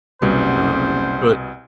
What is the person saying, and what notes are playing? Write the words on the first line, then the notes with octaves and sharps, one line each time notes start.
um but
F#1 C2 B2 G3 B3 C5